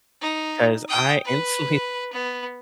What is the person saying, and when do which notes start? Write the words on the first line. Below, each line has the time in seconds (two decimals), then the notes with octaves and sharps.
'cause I instantly
0.22 D#4
0.88 G5 D#6
1.24 B4
2.13 B3